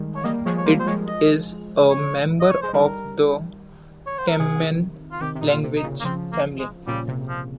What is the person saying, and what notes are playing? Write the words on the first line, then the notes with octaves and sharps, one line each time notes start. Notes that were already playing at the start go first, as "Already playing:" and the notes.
It is a member of the Taman language family.
Already playing: D#3 G3 G#3
C#5
G3 A#3 D#5
F3 G#3 C#5
C#5
G3 A#3 C5
C5
F3 G#3 C#5
D#5
C#5
D#5
C#5
G#3 C5
D#3 G3 A#4
C#5
C5
A#4
C3 D#3 G#4
F4
C3 D#3 G4
C3
A#2 D#4
F4
A#2
C3
D#4
A#2 C#3
A#3
C#3 F3 C4
A#3
G#3
A#2 C#3 G3
C3
F3